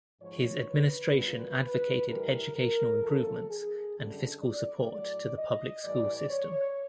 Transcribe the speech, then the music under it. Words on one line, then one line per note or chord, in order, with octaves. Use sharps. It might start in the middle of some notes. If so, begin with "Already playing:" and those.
His administration advocated educational improvements and fiscal support to the public school system.
G#2 F3 C#5
B4
A#2 F#3
B4
A2 E3 G3 A#4
A#4
F#2 C#3 F3 A4
G#4
F#2 D3 G3 A4
D5
A2 F#3 D5
D#5
A2 E3 G3 D5
C#5